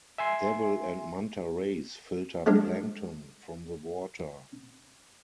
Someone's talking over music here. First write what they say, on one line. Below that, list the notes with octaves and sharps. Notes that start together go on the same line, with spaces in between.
Devil and manta rays filter plankton from the water.
E5 G#5 C6
F3 G3 G#3 D4